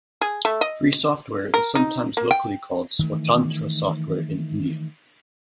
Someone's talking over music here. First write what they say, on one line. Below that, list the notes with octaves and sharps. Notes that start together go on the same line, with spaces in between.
Free software is sometimes locally called swatantra software in India.
G#4
A3
D#5
A#4
D#4
A#3
G5
D#3 E3 A3